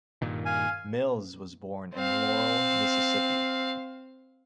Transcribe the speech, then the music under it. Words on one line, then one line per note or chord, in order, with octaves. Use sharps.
Mills was born in Laurel, Mississippi.
G2 A#2 D#3
F5 G#5
C4 F5